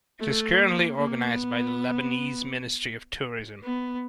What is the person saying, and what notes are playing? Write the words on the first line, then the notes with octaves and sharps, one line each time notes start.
It is currently organised by the Lebanese Ministry of Tourism.
A3
A#3
A#3
B3
B3